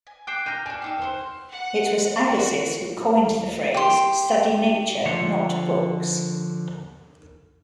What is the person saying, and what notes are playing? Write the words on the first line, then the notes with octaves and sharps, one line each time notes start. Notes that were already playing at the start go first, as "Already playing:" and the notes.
It was Agassiz who coined the phrase, Study nature, not books.
G#5
F#4 G5 D6 F#6 C7
G5 A#5 F6 G6 D#7
D4 F#4 G#5
D4 D#4 G5 E6
F#4 C5
F#5
F#4
G4 C6
D3 F3 C5 C#5